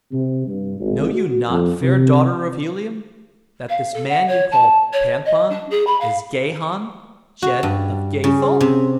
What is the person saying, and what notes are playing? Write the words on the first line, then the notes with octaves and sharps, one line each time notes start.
"Know you not, fair daughter of Helium, that this man you call panthan is Gahan, Jed of Gathol?"
C3
G2
G#1
F#4
F2
C3
F5
A4
F#5
C#5
A5
C#5
D#5
D4
G#4
B5
F5
F#4
G2
C#3
C3